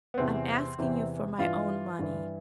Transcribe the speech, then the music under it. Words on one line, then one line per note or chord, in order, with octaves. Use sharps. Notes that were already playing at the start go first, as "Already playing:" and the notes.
'I'm asking you for my own money.
B3
E2 C3 E3 C4
E2 C3 E3
G2 E3 F4
G2 E3